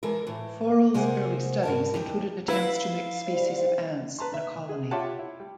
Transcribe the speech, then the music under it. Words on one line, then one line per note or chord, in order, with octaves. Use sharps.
Forel's early studies included attempts to mix species of ants in a colony.
E3 G#3 A4 A#4
A2 E3
C3 G#3 A#3 G#4 C5 F#5
G2 A#4 A5
D#2 G4
E4 B4 F5
G3 C5
B4 A5 A#5 C6
E5
G#4
F4 G4 C#5 E5 F#5 A5
E4
G3